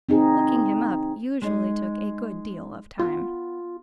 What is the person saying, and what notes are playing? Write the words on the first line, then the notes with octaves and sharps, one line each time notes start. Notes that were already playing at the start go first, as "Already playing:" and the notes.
Looking him up usually took a good deal of time.
C4 D#4 G#4
G#3 D#4 D#5
B3 F4